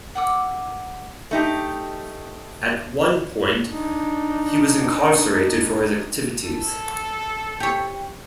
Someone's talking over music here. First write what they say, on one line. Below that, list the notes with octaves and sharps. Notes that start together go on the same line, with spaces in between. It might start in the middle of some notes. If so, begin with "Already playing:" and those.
At one point, he was incarcerated for his activities.
E5 F#5 D6 E6
A3 D#4 G4
D4 D#4
A4
G4 C#5